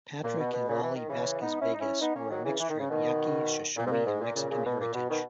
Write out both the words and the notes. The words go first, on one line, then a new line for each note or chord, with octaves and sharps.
Patrick and Lolly Vasquez-Vegas were a mixture of Yaqui, Shoshone, and Mexican heritage.
A#2
B2
B2
A#2 C#3
E3
D#3
C#3 E3
B3 D#4
C#4 E4
D#4
C#4 E4
B3 D#4
A#3 C#4
D#3 F#3
C#3 E3
E3
D#3
C#3
B2 D#3
A#2
G#2
A#2
G#2
A#2
A#2 C#3
A#2 C#3
B2
A#2
B2
B2 D#3